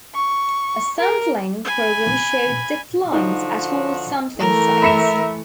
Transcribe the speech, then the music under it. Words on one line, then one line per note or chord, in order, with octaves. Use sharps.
A sampling program showed declines at all sampling sites.
C#6
A#4
G#5 B5
D3 F3 D#4 F#4
E3 A3 A#4
E5 B5 C#7 E7